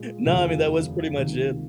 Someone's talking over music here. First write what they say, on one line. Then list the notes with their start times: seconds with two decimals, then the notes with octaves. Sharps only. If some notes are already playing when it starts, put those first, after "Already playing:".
no, I mean, that was pretty much it.
Already playing: A#2 G#3
0.26 F1 D#2 C#3 F3
1.17 C#2 C3 D#3 A#3